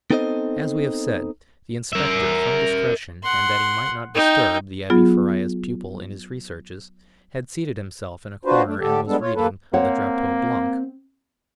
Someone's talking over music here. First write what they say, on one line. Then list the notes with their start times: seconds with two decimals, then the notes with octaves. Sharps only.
As we have said, the inspector, from discretion, and that he might not disturb the Abbe Faria's pupil in his researches, had seated himself in a corner, and was reading Le Drapeau Blanc.
0.11 B3 C4 D#4 A4 C5 D#5
1.93 A#4 E5
3.23 F#5 C6
4.15 D#4 G5
4.90 F#3 B3 F4 G#4
8.45 D4 F4 F#4 B4 C5
8.66 A3 D4
8.80 A2 D3 G4 A4
9.07 G3 G#3 B3 D4 A4
9.21 F4 C#5
9.35 D#2 A#3 A4 B4
9.73 A#3 C4 C#5 F#5